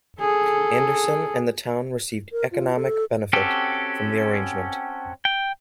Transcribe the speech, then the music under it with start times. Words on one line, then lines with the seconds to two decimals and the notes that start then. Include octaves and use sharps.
Anderson and the town received economic benefit from the arrangement.
0.20 G#4 A4
2.32 A#4
2.52 F4
2.75 A4
3.33 C4 C#4 F#4 G4 A4
5.25 G5